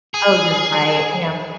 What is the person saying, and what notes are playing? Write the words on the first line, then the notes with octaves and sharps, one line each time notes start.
Oh, you're right. I know.
G#4